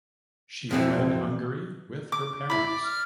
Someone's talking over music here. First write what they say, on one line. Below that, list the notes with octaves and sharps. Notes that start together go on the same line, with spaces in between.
She fled Hungary with her parents.
F2 B2 E3 C4
D6
E4 D5 B5
D6
F6